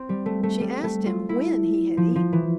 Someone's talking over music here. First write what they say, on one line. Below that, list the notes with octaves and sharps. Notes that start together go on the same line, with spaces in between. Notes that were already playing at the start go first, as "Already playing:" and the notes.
She asked him when he had eaten.
Already playing: C4
G3
A3
A3
G3
A3
F4
E4
F3
F3
E3